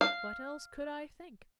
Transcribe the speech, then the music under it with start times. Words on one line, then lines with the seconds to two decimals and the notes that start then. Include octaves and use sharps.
What else could I think?
0.01 F5